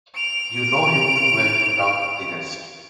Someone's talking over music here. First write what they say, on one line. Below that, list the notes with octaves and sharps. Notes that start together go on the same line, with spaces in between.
You know him too well to doubt the rest.
D7 F7